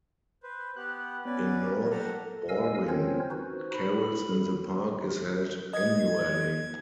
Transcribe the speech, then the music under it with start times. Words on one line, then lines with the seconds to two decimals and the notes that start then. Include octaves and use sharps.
In North Balwyn, Carols in the Park is held annually.
0.43 B4 C5
0.76 B3 G4 F#6
1.25 B3 C#4 B4 D5
1.66 A#4
1.91 G4 A4 F#5 A#5
2.49 A#4 D#5 F5 G#5 E6
2.89 C4 C#4 F4 A#4 C5 C#5
3.31 D#4 F#4 B4 C5
3.73 B5
5.73 D#5 G#6